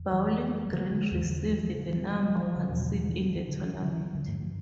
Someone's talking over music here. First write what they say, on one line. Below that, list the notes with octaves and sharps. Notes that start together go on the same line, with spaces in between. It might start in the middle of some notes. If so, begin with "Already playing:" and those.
Bowling Green received the number one seed in the tournament.
Already playing: F2 D3
E3 G3
G3
D3 F3
D3
E2 D3 E3
D3 F3
E3
E3 G3
F3 A3
D3 F3
E3 G3
F3 A3
G3 B3
F3 A3
E3 G3
D3 F3
E2 B2 E3
D3
E3
E3 G3
A3 C4
F3
E3 G3
D3 F3
E3
E3
D3
E3
E3
D3 F3
G2 D3 F3 A3